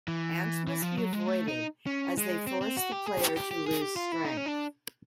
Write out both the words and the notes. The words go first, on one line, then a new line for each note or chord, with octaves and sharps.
Ants must be avoided; as they force the player to lose strength.
E3
E3
F3
F#3
G#3
A3
D#4
C#4
G#3
C4
C4
F#4
G4
G#4
G4
G4
G4
G#4
G4
F4
E4
D#4
C#4
D4